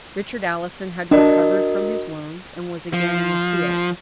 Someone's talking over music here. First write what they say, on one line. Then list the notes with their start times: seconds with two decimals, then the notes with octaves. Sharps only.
Richard Allison had recovered from his wound, and was again in the field.
1.11 D4 F#4 A#4 D#5
2.93 F3